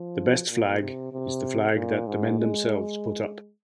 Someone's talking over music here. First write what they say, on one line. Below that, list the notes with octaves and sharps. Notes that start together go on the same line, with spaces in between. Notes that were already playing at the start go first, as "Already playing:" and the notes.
The best flag is the flag that the men themselves put up.
Already playing: F3
A#2
C3
C3
A#2
G#2
G#3